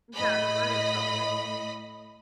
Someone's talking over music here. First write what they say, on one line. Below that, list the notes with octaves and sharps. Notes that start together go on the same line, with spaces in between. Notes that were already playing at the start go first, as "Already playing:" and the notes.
Yeah, the word itself is
A2 D#5 B5